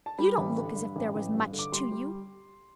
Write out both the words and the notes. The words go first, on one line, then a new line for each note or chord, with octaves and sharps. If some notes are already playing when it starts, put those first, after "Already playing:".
You don't look as if there was much to you.
A5
G3 B5
A1
D3
G2
A1
A1
G2
D3
D6
G3 C6
G3